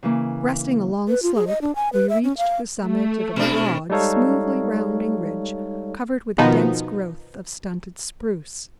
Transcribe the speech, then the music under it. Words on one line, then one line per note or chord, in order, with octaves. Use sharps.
Breasting a long slope, we reached the summit of a broad, smoothly rounding ridge covered with a dense growth of stunted spruce.
C#3 E3 A#3
B4
F4
G#4
D#5
D4
G#5
B4
E5
C#4
F5
A3
B2 D4
G3 G#3 D#4 A4 C#5 F5
B2 D#3 F3 B3 D#4